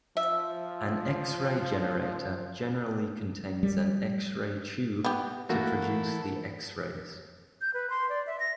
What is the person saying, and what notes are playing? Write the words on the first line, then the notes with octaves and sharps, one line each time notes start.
An X-ray generator generally contains an X-ray tube to produce the X-rays.
F3 E5
G3
B3 G4
E3 A3 A#3 F#4 A4
G6
B4
C6
D5
E5
A#6